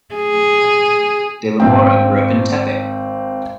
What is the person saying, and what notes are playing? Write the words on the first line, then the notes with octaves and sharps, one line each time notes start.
De la Mora grew up in Tepic.
G#4
G#1 C4 G5